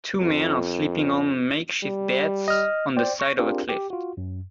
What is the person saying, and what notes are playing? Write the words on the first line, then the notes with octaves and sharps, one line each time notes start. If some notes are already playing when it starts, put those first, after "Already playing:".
Two men are sleeping on makeshift beds on the side of a cliff.
F2
G3
D#5 F6
C5 D5 G5
C#6 A#6
C4 D4 F4 G4 G#4 A#4
G4
F4 F#4
F#2